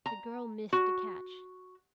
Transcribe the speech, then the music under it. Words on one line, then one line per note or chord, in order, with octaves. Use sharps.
The girl missed the catch.
A#5
F#4